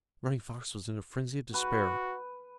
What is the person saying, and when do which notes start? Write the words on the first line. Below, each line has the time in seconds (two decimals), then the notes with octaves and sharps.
Running Fox was in a frenzy of despair.
1.54 F#4 B4